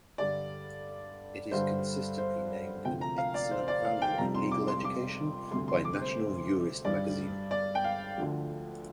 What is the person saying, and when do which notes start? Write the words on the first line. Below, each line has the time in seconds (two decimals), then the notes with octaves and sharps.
It is consistently named an "excellent value" in legal education by National Jurist Magazine.
0.18 G2 D3 G3 D5
1.51 G2 D3 G3 C5
2.18 C5
2.85 D2 C3 F3 G5
3.01 A#5
3.18 F5
3.34 D5
3.51 C5
3.68 D5
3.85 F5
4.02 G5
4.18 F2 C3 G3 A#5
4.35 C6
4.51 D6
4.68 C6
4.84 D6
5.52 D2 C3 G3 C6
5.68 C6
5.85 D6
6.01 C5
6.85 G2 G3 D5
7.51 D5
7.75 G5
7.84 F5
8.18 D2 D3 F3